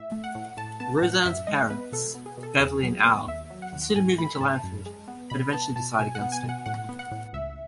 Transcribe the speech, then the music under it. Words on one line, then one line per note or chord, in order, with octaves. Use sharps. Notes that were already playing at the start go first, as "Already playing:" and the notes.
Roseanne's parents, Beverly and Al, consider moving to Lanford, but eventually decide against it.
Already playing: A2 E5
A3
F#5
A2
A2 A5
B3 A5
A2 F#5
F#2 E5
G#3 D#5
B3 B4
B2 A4
B3
G#4
B2
A4
E2 G#4
F#3
B3
D#2 E5
F#3
F#5
D#2
G#2 G#5
A3 B5
G#2 A5
F#2
G#3
B3
B2 B5
B3 A5
B2 A5
B2 G#5
F#5
B3
G#5
B2
F#5
A2 F#5
B3
F#5
A2
C#2 E5